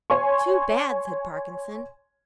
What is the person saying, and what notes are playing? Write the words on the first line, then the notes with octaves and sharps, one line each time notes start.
"Too bad!" said Parkinson.
C#5 G#5 C6 C#6